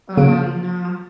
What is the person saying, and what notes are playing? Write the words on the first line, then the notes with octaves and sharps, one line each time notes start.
Oh, no.
C#3 A#3 D7